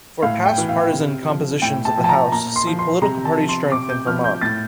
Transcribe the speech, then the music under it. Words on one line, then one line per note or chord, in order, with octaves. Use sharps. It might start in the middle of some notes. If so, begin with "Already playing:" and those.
For past partisan compositions of the House see Political party strength in Vermont.
A2 F5
G5
E3
F5
C3
F3
A2 G5
A5
F3
A5
A#5
A#2 A#5
C6
F3
C6
C3 A#5
A5
F3
C6
C3 D6
G6
F3 F6
G6
A2 A6